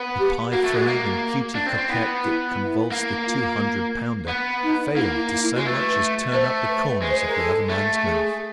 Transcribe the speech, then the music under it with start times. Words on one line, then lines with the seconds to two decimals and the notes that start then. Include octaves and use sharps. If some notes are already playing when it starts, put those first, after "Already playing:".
The pie-throwing and Cutey Coquette that convulse the two-hundred-pounder fail to so much as turn up the corners of the other man's mouth.
Already playing: B3
0.19 G4
0.52 A#3 F#4
0.64 A3
0.75 G#3
0.87 A#3
1.55 D4 F4
1.66 C4
1.78 C4
1.89 B3 E4
2.23 E4
2.57 E4
2.91 A#3
3.26 F4
4.28 B3
4.62 D#4
4.96 A#3 E4
5.14 E4
5.31 E4
5.42 E4
5.54 F#4
5.58 G#3
5.65 A3 B4
6.33 A3 C5
6.68 B4
7.02 G#3
7.10 C5
7.19 B4
7.27 A#4
7.36 A4
7.70 A3
8.04 G#4